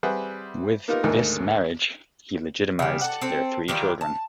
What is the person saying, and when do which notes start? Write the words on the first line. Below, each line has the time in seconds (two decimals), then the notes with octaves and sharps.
With this marriage he legitimized their three children.
0.03 G3 C4 G#4 B4 E5 F#5
0.88 A#3 B3 D#4 F4 G4 A#4
1.04 D2 G#2 D#3 A3 A#3
2.79 C#3 G3
3.01 A4 F#5
3.21 C4 A4
3.68 D#3 E3 G3 F4
4.01 A5